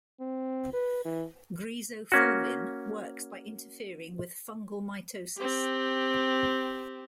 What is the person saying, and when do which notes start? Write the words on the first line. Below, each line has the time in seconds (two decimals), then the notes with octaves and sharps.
Griseofulvin works by interfering with fungal mitosis.
0.20 C4
0.73 B4
1.05 E3
2.12 A#3 C#4 F#4
5.37 C4 G4